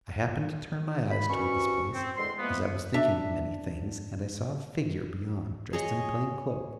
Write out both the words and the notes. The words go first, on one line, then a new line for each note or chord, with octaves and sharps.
I happened to turn my eyes towards this place, as I was thinking of many things; and I saw a figure beyond, dressed in a plain cloak.
B5
C2 G2 C#4 F#4 C#6
C4
E2 D3 G#3 C6
E3 F3 G#3 A#3 B3
D4 E5
G#4 C#5 D#5